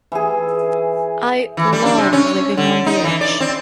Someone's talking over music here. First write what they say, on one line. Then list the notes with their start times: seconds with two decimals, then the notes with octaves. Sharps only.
I love living on the edge.
0.12 E3 G#4
1.57 E3
1.73 G3
1.85 D4
1.98 C3
2.13 C#4
2.57 D3
2.87 D#4
3.04 E3
3.21 D5
3.41 C4